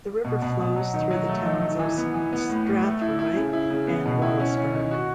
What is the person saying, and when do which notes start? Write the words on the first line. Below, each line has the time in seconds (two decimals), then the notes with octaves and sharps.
The river flows through the towns of Strathroy and Wallaceburg.
0.24 B2
0.42 B2
0.59 B2
0.76 F#3
0.94 D#3
1.11 F#3
1.29 A3
1.45 D#3
1.62 D#3
1.79 E3
1.98 B3
2.14 E3
2.32 B3
2.49 A2
2.66 A2
2.83 A3
3.01 E4
3.19 E4
3.36 C#3
3.53 E4
3.70 C#3
3.87 B3
4.05 B2
4.22 E4
4.39 C#4
4.57 C#4
4.74 D#3
4.91 F#4